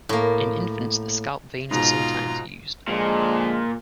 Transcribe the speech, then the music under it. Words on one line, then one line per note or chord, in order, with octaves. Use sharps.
In infants the scalp veins are sometimes used.
A2 A#3
G#2 B2 F4 A#5
A#2 D3 F3 G#3